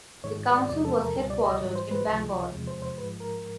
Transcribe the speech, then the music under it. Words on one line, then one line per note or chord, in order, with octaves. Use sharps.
The Council was headquartered in Bangor.
G#2 D#3 G#3 C#5
D5
E2 C3 F3 G#3 D5
A4
A#4
C#2 B2 G3 A4
D5
D#5
G#2 E3 G3 D5
C5
B4
C#2 C3 F3
E2 C3 F3 G#3
C5
C5
G#2 F3 G#3 B4
A#4